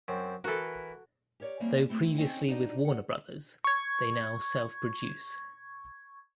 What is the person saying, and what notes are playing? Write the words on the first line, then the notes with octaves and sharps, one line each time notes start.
Though previously with Warner Brothers, they now self-produce.
F#2 C4
E3 F#4 A4 A#4
G4 A#4 C#5 D5
G3 A#3 C4 C#4 D5 E5
A3 C4 E4
C4 C#4 D#4 C#5 D#5 G5
D4 D#4 F#4 G4 D5 D#5
D5 F#5
C#6 G#6